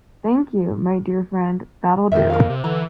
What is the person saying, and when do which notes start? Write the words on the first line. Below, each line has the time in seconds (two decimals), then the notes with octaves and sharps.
Thank you, my dear friend, that'll do.
2.12 F2 D#3 C5 E5
2.30 A#4 F5
2.50 C3
2.64 D3 E3 A#5